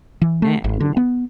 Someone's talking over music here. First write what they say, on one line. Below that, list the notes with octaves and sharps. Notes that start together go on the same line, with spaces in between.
na you know."
E3
A3
G#1
D3
B3